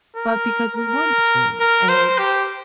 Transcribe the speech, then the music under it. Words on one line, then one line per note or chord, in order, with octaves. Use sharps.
but because we want to, and
A#4
A#4
A#4
C5
G4